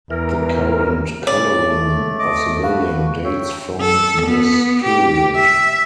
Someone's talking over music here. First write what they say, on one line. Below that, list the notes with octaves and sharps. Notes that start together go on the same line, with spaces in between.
The current coloring of the building dates from this period.
E2 E3 A#4
C#3 C#5 D5
A3
D#5 D6
F#4 B4 F5
C#5 E5 G5
A4
B3
G4
E5